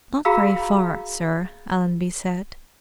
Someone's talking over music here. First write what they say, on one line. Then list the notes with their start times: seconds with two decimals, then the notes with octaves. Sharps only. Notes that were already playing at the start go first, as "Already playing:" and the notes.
"Not very far, sir," Allenby said.
0.25 F#4 G#4 F5 A#5 B5 E6